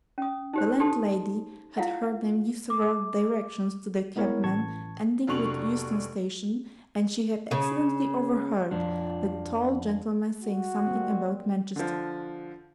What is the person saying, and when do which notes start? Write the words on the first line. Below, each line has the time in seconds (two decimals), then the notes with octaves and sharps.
The landlady had heard them give several directions to the cabman, ending with Euston Station, and she had accidentally overheard the tall gentleman saying something about Manchester.
0.18 C#4 D#6
0.53 D#4 G4 C5
0.80 G4 A4 A5 C6 D#6
1.78 E4 F4 F5 F#5
2.70 D6
4.16 G#3 B3 E4 A#4 C#5
4.44 A1 A5 C#6 G#6
5.27 F1 F#3 D4 C#6 F7 F#7
7.51 C#3
8.71 F2 F3 D4
10.42 F#4
10.87 G3 A#3 C4
11.76 D3 F3